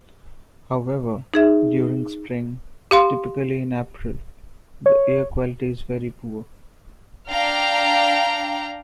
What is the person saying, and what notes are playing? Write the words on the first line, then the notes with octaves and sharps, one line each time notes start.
However, during Spring, typically in April, the air quality is very poor.
D#4 G#4 E5
G4 F5 C6
C#5
D4 F5 G5 A#5